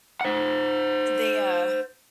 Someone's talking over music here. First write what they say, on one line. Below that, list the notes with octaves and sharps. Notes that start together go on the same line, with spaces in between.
they, uh
C5 F#5